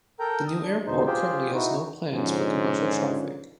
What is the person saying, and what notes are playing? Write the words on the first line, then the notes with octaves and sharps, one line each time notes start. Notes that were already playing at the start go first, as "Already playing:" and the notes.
The new airport currently has no plans for commercial traffic.
A4 A#4 G5 A#5 G6
D#6
D4
E2 B2 D3 D#4 C5
F4 G4 G#4 C5 G5
D#4 E4 F#4
G#2 D3 F3 C#4